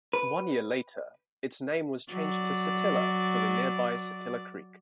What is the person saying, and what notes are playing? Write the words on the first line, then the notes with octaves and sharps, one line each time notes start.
One year later, its name was changed to Satilla for the nearby Satilla Creek.
B4
F#3 D5